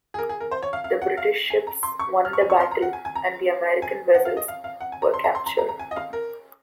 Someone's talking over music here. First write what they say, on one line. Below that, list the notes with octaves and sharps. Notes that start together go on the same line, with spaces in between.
The British ships won the battle, and the American vessels were captured.
G#4
A#4
G#4
A#4
C5
C#5
F5
F5
F#5
F5
G#5
A#5
C6
C#6
F6
C#6
G#5
C#6
A#5
C6
A#5
F#5
G#5
G#5
A#5
G#5
F#5
F5
D#5
F5
F5
F#5
G#5
A#5
C6
A#5
C6
A#5
A#5
A#5
G#5
D#5
F5
A#4